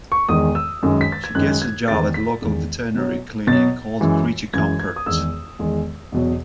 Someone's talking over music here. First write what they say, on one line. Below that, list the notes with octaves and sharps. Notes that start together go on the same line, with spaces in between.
She gets a job at a local veterinary clinic called Creature Comforts.
C#6
E2 D#3 G#3 D#6
E6
F#2 D#3 G#3
B6
A6
G#6
F#2 D#3 G#3 F#6
G#6
E2 D#3 G#3 A6
B6
E2 D#3 G#3
B2 F#3
B2 F#3 A6
F#2 E3 G#3
F#2 E3 G#3 G#6
G#6
D#6
E2 D#3 G#3 E6
E2 D#3 G#3
E2 B2 F#3